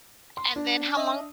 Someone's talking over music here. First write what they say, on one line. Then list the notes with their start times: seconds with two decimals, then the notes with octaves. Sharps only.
And then how long
0.37 C6
0.56 D4
0.97 D#5 E5 D#6